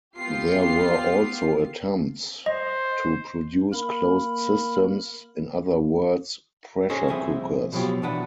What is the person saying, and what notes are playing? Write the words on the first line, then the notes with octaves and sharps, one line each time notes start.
There were also attempts to produce closed systems, in other words "pressure cookers".
B3 F4 G4 C7
C5 D#5
A#3 A#4 B5
C#4 G#4 A4 C5 C#5 D#5
C2 F3 C4 G#4 E5 G#5
B2 F3 F#3 B3 F4 G4
B2 E3 D4 B4 F#5